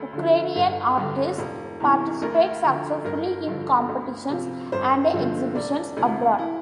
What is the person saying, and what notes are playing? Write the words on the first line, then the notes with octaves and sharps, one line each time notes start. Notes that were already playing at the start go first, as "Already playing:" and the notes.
Ukrainian artists participate successfully in competitions and exhibitions abroad.
Already playing: D2 A4
D3 F3
G1
G2 D3
E1
E2 C3 E3
D2 A#4
D3 F3
G1 A#4
G2 D3 F3
D2
C3 F3
G1 C5
G2 D3 F3
E1 D5
D2 C3 E3 E4
E4